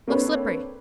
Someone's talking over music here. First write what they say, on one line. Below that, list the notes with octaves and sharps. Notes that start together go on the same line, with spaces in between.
Look slippery.
A#3 C4 D4 A4 B4 C#5